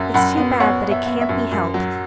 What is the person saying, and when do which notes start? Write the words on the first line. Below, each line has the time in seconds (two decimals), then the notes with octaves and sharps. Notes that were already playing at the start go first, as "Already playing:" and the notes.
It's too bad, but it can't be helped.
Already playing: F#2 F#3 E5
0.14 F#2 F#5 B5
0.37 B3
0.60 B3 C#5 F#5
0.83 B3
0.91 E5
1.06 B3
1.21 E5
1.29 F#2
1.52 F#2
1.74 F#3